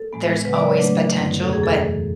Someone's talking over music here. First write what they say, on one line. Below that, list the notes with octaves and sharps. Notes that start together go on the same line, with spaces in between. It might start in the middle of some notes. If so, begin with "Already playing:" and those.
there's always potential, but,
Already playing: A4
A2 G#3 B3
C#3 F#3 B3 B4
D5
C#5
C#3 F#3 A3 D4 B4
F#2 D3 F#3 B3 E4
E2 B2 F#3 A3 A4
G#4
A4
F#2 E3 A3